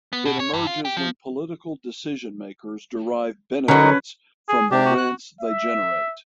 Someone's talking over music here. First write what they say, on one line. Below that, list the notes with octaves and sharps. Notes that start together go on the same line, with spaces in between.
It emerges when political decision makers derive benefits from the rents they generate.
B3
B2
C#5
G2
F4
G4
F3
D3 F#3 C#4 D#4 A#4 B4
G#4
C3 D4 G4
F#4
F#6
E5